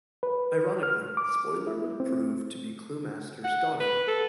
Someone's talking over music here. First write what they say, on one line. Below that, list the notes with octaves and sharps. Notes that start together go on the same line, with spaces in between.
Ironically, Spoiler would prove to be Cluemaster's daughter.
B4
F6
D6
E4
C4
F#5
B4
A4